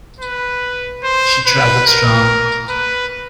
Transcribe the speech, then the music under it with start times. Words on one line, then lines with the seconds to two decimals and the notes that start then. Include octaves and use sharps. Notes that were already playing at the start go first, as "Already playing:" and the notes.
She travelled strong.
0.20 B4
1.03 C5
1.45 B4
1.86 A#4
2.69 B4